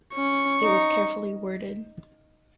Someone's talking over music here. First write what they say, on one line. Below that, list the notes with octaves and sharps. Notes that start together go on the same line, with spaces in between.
It was carefully worded.
C#4 C#6
D#4